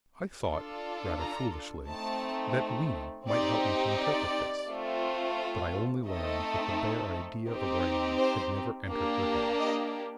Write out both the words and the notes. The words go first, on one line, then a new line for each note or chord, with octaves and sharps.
I thought, rather foolishly, that Weena might help me to interpret this, but I only learned that the bare idea of writing had never entered her head.
D4 F4 A4
A#5
A3 C4 D#4 A5
C4 D#4 G4 D5
D5
A3 C4 F4
A3 C4 D#4 A4 D#5
C4 D#4 G4
C5
A#3 D4 G4
D#5